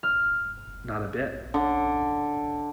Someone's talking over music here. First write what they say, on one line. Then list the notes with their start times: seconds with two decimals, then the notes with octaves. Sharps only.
Not a bit.
0.03 F6
1.54 D3